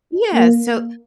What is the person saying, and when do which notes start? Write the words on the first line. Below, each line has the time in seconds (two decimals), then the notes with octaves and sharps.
yeah, so
0.34 A#3